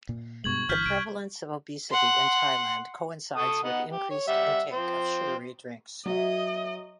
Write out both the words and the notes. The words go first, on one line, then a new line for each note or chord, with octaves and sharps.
The prevalence of obesity in Thailand coincides with increased intake of sugary drinks.
A#2
G2 B2 G#3 C#6 G#6 F#7
G1 E3 F6 G6 B6
C2 D7
F#5 C6
A4 C#6 D#6
B3 D#4 F#5
G4
C#5
G3 E5 F#5
F3 C4
F#3 D#4 E4 D#5 E5